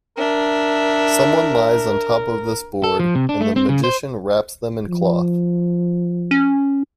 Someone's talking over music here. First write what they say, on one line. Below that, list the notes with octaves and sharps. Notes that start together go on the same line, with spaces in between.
Someone lies on top of this board, and the magician wraps them in cloth.
D4 A#4 E5
A4
F3
C3
D4
A3
C4
C#3
C5
F3
C#4